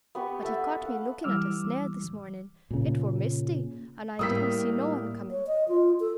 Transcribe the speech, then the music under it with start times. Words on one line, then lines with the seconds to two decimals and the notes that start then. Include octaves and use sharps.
But he caught me lookin' at a snare this mornin'--it wor misty, and I didn't see no one comin'.
0.15 B3 G4 C#6
0.43 A4 E5 F#5
0.81 F5 F#5
1.24 E3 G3 D6 E6 F6
2.71 A#2 C#3
4.19 A2 G3 A#3 D#6 E6 B6
5.31 C#5
5.47 D#5
5.68 F4
6.00 A4